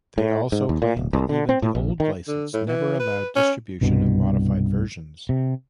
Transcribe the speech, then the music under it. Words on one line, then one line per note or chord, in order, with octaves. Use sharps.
They also claimed that even the old license never allowed distribution of modified versions.
A2
G#2
D#2
A#2
D1
C2
D3
C4
A2
A#1
D#3
D3
A2
E3
B4
C#4
C2 G2 B2
C3